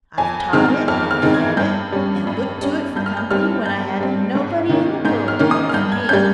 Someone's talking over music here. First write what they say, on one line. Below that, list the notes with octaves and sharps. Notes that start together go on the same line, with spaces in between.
I've taught it, and fed it, and looked to it for company when I hadn't nobody in the world to care for me.
F2 G#5
D#3 G#3 C4 F6
F2 F6
F6
D#3 G#3 C4
G#6
G2 G6
G3 C#4
G2
G3 C#4
G2 G6
F6
G6
G3 C4 F6
G2 G6
G3 C4
G#2
D#3 A#3 C#4
G#2 G6
F6
D#3 A#3 C#4
D#6
F6
G2 G6
G#6
G3 C#4 G6